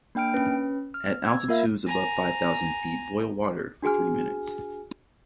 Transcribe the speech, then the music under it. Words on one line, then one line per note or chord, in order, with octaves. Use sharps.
At altitudes above five thousand feet, boil water for three minutes.
A#3 D4 G5 F6 D7
C#4 B4
F6
E6 G#6
A#3 F4 A#4 E5 F5
G#5 A#5
D4 F#4 G#4 G#5 F6